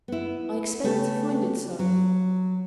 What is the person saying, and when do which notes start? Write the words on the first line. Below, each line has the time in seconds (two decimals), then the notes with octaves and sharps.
I expect to find it so.
0.08 B3 E4
0.83 C#3 A3 B3 G4 A4
1.79 F#3